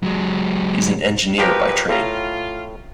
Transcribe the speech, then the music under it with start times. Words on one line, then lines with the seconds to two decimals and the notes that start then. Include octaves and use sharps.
He is an engineer by trade.
0.03 F#3 G#3
1.38 E2 G#2 F3 G4 A#4 B4
1.89 A2 F4 A#5